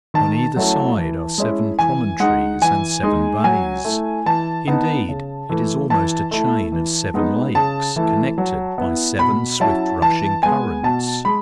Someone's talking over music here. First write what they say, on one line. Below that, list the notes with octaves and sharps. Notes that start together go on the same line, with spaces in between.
On either side are seven promontories and seven bays; indeed, it is almost a chain of seven lakes, connected by seven swift-rushing currents.
D#3 A5
F#3 A3 C#4 E4
E3
G#3 C#4 E4
E3 G#5
G#3 D#4 F#5
E3 G#5
G#3 D#4
F#3 G#5
A3 E4
E3 A5
B3 D#4
C#3
E3 A3
E3 A5
A3 E4
E3
G#3 B3 D#4
C#3 A5
E3 A3 E4
F#3
B3 E4
B2 B5
F#3 C#4 E4 A5
E3 A5
G#3 B3 G#5
B2 A5
G#3 B5